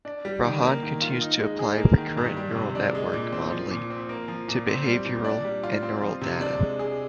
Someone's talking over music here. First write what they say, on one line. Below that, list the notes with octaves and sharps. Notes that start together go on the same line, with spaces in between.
Rajan continues to apply recurrent neural network modelling to behavioral and neural data.
D4
G3
D#3
A#3
D#3
F4
D#4
G#3
G#4
A#3
D#3
G2
G3
C3
D4
G#3
A#2
C4
F3
A#2
C4
A#3
F3
A#2
C4
G3
A#2
D4
G3
F4
C4
F3
C3
D4
G#3
G#4